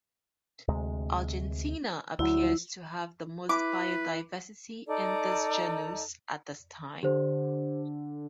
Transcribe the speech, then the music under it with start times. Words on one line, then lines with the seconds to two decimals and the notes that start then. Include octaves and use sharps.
Argentina appears to have the most biodiversity in this genus at this time.
0.68 D2 C3 G#3
2.19 D2 F#3 E4
3.49 E4 B4 D6
4.88 D#4 A4 D5 A#5
7.03 D3 G4 C5